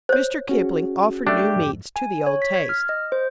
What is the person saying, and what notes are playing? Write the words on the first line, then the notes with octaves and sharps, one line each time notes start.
Mr. Kipling offered new meats to the old taste.
C5 C#5
C#4 F#4 G#4
A3 D4 G4
F2 G#2
G#5
C#5
B6
G#6
F6
D#5
C5